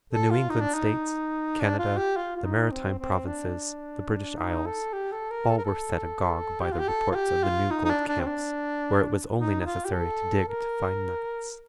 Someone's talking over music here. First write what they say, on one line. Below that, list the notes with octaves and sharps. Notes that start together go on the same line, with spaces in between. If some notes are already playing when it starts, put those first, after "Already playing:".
The New England States, Canada, the Maritime Provinces, the British Isles--all were set agog by the reports of the new gold-camps where it was only necessary to dig to find nuggets.
A4
F4
D#4
D4
D#4
D4
F4
G4
F4
F4
D#4
C4
C4
D4
D#4
A4
G4
A4
A#4
A4
A#4
A4
G4
F4
G4
A4
F4
G4
F4
D#4
D#4
D4
D4
C4
D4
D#4
D#4
F4
G4
A4
A#4